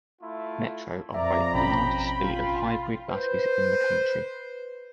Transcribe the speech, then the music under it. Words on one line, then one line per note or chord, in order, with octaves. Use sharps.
Metro operates the largest fleet of hybrid buses in the country.
A3 E4 F4
F2 A#4 D5 E5 A#5
A1 B2 C#4 G5 B5
F4
B4 C5